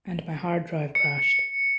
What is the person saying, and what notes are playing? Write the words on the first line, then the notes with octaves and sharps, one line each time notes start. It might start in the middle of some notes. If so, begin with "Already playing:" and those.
And my hard drive crashed.
C#7